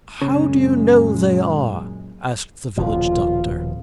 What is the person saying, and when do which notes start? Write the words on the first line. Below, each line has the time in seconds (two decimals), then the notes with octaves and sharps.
"How do you know they are?" asked the village doctor.
0.22 F#2 A#2 C#3 G#3
2.77 D#1 B2 F3 F4